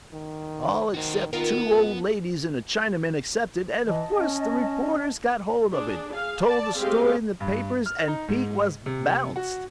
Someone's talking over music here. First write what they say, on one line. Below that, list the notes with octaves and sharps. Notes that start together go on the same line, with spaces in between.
All except two old ladies and a Chinaman accepted and of course the reporters got hold of it, told the story in the papers and Pete was bounced.
D#3
D#3 F#4 C5
D#3 B3 F4 A#4
F#2
E3 D#5 A5
C#4
D4 G#4
G#4 F5
D5 A5
G#3 A3 C4 G4 G#4 F5
G2
F6
D#4
G#2
C3
F#4